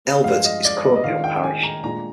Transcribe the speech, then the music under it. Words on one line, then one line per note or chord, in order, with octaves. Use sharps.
Elvet is currently unparished.
G2 F3 G#3 F5
D#5
D5
D#5
D#5
D#3 G#3 D4 F4 F5
G5
G5
G#5
A#5
A#2 G#3 D4 F4 A#5